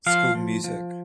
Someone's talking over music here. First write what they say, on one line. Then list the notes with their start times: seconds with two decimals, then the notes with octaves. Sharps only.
School music.
0.06 F3 F5
0.35 F3
0.64 F3